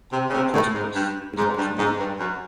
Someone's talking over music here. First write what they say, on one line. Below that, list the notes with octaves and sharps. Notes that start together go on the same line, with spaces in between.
The cause of this is not known.
C3
C#3
C3
A2
G#2
G2
G#2
G2
G#2
G2
F#2